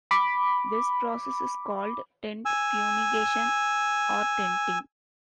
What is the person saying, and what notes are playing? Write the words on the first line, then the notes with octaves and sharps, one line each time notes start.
This process is called tent fumigation or "tenting".
B5 D6
G#5 E6